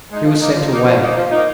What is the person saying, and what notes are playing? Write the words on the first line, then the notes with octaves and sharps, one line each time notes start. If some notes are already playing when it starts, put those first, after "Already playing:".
She was sent away.
G#3 D#4
F3
A#3 D#4
F3
A#3 D#4
F3
A#3 D#4
F3
A#3 D#4